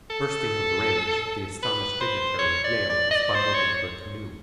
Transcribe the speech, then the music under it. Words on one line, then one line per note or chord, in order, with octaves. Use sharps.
Bursting with rage, the astonished dignitary at Yale was bundled into a canoe.
A4
B4
C5
C#5
D5
D5
D#5
D5
C5
C#5